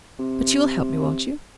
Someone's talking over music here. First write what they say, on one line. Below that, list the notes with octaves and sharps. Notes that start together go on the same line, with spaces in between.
But you'll help me, won't you?
C3